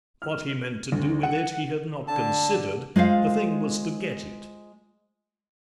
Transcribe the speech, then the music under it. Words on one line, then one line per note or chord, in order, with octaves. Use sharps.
What he meant to do with it he had not considered, the thing was to get it.
F6
D2
F#5
D3 A5
G#3 F4 C5 F5